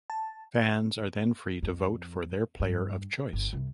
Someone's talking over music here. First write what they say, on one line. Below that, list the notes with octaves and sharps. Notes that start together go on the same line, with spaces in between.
Fans are then free to vote for their player of choice.
A5
F2
G2
G1
C2